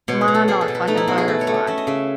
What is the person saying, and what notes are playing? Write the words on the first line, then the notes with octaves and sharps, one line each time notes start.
Monarch, like in a butterfly.
B2 C#5
B4
B2
A4
B2 G#4
A4
B2
B4
A3 D#4
E4
B2 F#4
G#4
A3 A4
C#5
A3
C#5
C#4 E5
D#5
C#3 E5